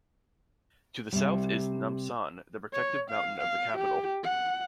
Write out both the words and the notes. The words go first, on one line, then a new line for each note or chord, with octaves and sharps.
To the south is Namsan, the protective mountain of the capital.
C3 G3
C#5
F5
F5
G4
F#5